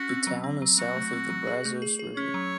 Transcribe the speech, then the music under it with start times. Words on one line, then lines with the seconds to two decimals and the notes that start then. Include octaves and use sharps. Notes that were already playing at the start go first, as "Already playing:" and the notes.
The town is south of the Brazos River.
Already playing: C#4 F#4
0.09 C4
0.27 F#3
0.44 C4
0.62 F#3
0.78 F#3 F#4
0.96 A3
1.13 C4
1.30 F#3
1.47 G#4
1.65 A3
1.82 G#4
1.99 G#4
2.16 C#4 C#5
2.34 F#3